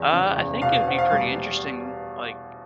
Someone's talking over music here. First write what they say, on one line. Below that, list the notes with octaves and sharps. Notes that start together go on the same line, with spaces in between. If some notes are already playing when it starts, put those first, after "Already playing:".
Uh, I think it would be pretty interesting, like,
Already playing: E2
C#3
E2
B2 F5
C4 F#5
F5
G3